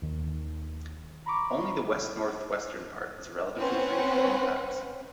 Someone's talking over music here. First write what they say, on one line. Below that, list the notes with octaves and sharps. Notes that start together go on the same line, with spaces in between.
Only the west-northwestern part is relatively free from impacts.
D#2 D#3
A#5 B5 C#6 D6
C4 C#4 B4 C5 F#5